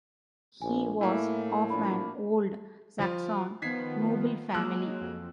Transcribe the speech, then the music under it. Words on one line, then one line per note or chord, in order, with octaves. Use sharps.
He was of an old Saxon noble family.
A#1 G#5
A2 A3 A#3 E4
A#2 F3 D4 B5
F3 F4
D#3 F3 B3 G#6 B6 C7
F#3 G#3 A#3 E6 F#6
F2